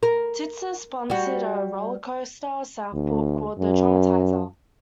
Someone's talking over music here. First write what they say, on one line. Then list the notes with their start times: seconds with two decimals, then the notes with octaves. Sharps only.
Tizer sponsored a roller coaster in Southport called the "Traumatizer".
0.03 A#4
1.10 G3 F#4
2.93 D2
3.58 F#2